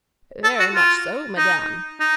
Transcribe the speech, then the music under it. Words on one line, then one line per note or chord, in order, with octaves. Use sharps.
"Very much so, madame."
A4
F#4
F4
D#4
D#4